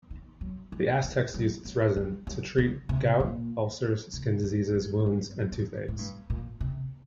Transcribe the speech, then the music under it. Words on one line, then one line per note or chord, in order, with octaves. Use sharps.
The Aztecs used its resin to treat gout, ulcers, skin diseases, wounds, and toothaches.
D#3
F#3
D#3
D#3
F#3
F#3
G3
F#3
D3
C3
A#2
C3
F#2
G2
G2
F#2
A2
G2
A#2
C3